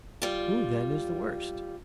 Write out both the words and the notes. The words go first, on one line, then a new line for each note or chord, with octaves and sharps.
'Who, then, is the worst?
G3 F4